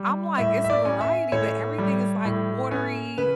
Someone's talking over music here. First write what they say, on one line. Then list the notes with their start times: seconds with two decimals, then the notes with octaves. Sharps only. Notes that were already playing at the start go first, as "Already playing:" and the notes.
I'm like, "It's a variety, but everything is, like, watery,
Already playing: G3
0.38 A2 E5
0.64 E5
0.70 D5
0.85 C#4
1.01 E5
1.32 A2 C#5
1.78 G3
2.25 A2
2.71 C#4
3.18 C#3 B4